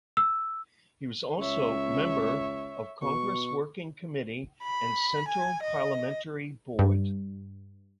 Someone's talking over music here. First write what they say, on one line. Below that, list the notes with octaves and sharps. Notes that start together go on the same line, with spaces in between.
He was also member of Congress Working Committee and Central Parliamentary Board.
E6
C#2 C#5 E5
B2 C#6
B5
G#5
D#5
G2